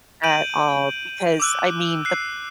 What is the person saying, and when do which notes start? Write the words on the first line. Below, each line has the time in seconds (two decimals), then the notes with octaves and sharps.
at all, because, I mean, the
0.24 G6 D7 D#7 F#7
1.40 D6 E6 F#6
2.05 F#6 C7